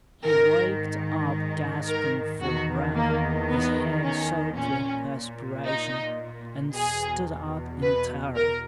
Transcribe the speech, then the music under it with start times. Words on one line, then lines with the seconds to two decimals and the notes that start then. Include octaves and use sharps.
He waked up, gasping for breath, his hair soaked with perspiration, and stood up in terror.
0.25 G#2 D#3 A#4
1.88 A#4
2.41 E2 D#3 F#4
2.95 A#3
3.49 B3
4.04 C#4
4.57 A#2 C#4
5.65 D#4
6.73 E2 B2 G#4
7.82 B4
8.36 A#4